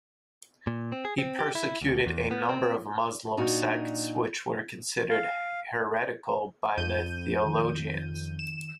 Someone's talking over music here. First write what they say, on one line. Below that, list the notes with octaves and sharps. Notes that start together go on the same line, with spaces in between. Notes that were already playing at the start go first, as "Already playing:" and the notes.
He persecuted a number of Muslim sects which were considered heretical by the theologians.
A#2
C4
G#4
C4
G4
E4
D2
E2
B3
C4
A#2 D4 D#4 F#4
F5
F2 G6 D#7
D#3
E7